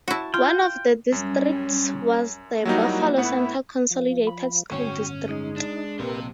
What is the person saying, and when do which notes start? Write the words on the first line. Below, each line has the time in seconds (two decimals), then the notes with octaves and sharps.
One of the districts was the Buffalo Center Consolidated School District.
0.08 E4 F#4 A5 C#6
0.34 F4 G5 C6 F6
1.12 F#2 G3 C#4
2.65 F#3 G3 A#3 D#4 E4 F#4
3.17 A2 B3 E4 F#5
3.91 F3
4.27 B5
4.72 G1 A2 C#4 F#4 C#5 G5
5.29 G#3 D#4
5.56 D4
5.99 A#1 F2 C3 A#3 G4 A#4 B4 C6